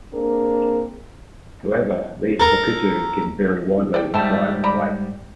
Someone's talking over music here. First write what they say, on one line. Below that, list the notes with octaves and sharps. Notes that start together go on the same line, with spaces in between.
However, these bokuto can vary widely in size and weight.
A#3 C4 D4 G#4 A#4
A4 A#4
D5 G5
G#2 G3 A3 G5 A5
D5 A#5 B5